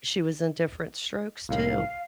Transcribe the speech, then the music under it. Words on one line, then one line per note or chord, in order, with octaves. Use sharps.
She was in Diff'rent Strokes, too.
C2 A2 D#3 F5